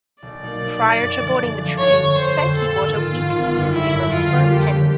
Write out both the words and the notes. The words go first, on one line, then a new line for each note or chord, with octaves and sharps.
Prior to boarding the train, Sankey bought a weekly newspaper for a penny.
B1 D5
B2 F#3 A#3 D#4
B1
B2 F#3 A#3 D#4
F#2
D3 F3 A3 D4
F#2
D3 F3 A3 D4
G1 C#5
F2
D3
G1 C5
F2 D3
A#1 A4
G#2 D#3
A#1 F4
G#2 D#3
G#1
F#2 D3 G3
G#1 E4
F#2 D3 G3
F2 F4
D3 G3 A#3 C#4
F2 G4
D3 G3 A#3 C#4